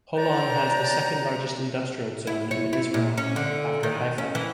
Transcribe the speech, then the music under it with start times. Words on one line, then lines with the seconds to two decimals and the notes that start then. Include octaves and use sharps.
Holon has the second-largest industrial zone in Israel, after Haifa.
0.16 B4 C#5 D5 G5 A5 A#5
2.27 E4
2.51 C#5
2.73 E4
2.94 A#2
3.17 C#4
3.36 D3
3.83 D#3
4.18 C#4
4.35 E3